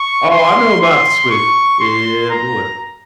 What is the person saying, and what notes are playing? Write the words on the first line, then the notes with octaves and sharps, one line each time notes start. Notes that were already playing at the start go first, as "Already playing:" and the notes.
Oh, I know about the switch. Yeah, yeah, yeah, boy.
Already playing: C#6
C6
C6
C#6
C6
A#5